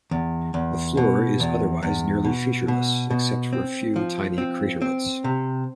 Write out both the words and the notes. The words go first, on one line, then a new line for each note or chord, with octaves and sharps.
The floor is otherwise nearly featureless, except for a few tiny craterlets.
E2
E2
B2
E2
E2
B2
B2
B2
C4
F3
C4
C4
C3